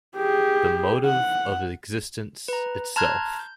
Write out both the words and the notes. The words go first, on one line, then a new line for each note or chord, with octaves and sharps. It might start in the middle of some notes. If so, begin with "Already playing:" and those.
The motive of existence itself.
G4 G#4
F#5
B4 A#5
A5 A#5 C6 F6 F#6 G#6
G6